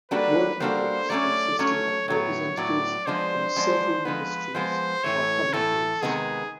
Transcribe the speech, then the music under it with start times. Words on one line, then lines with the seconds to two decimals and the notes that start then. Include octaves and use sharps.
Working groups consisting of representatives from several ministries are commonplace.
0.11 G3 A#3 D4 F#4 A4 B4
0.60 G3 A#3 D4 F#4 A4 C5
1.10 F#3 A3 C#4 D5
1.59 F#3 A3 C#4 C#5
2.08 A2 F#3 B3 C#5
2.57 A2 F#3 B3 D5
3.06 F3 G#3 B3 D4 C5
3.56 F3 G#3 B3 D4
4.05 F3 G#3 B3 B4
4.55 F3 G#3 B3 C5
5.04 A2 E3 A3 C#5
5.53 A2 E3 A3 A4
6.02 C3 D#3 G#3 B3 G#4